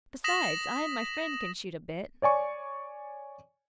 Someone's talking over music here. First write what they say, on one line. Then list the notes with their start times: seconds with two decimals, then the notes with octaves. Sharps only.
Besides, I and my friend can shoot a bit.'
0.24 D#6 A#6 B6 E7 F#7
2.22 C#5 D5 G#5 C#6